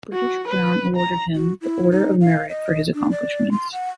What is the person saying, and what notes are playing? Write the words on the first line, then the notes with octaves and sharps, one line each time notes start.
The British Crown awarded him the Order of Merit for his accomplishments.
F#4
B4
A#5
F#4
E4
D#4
F5
D#5
D4
D5
C6
F#5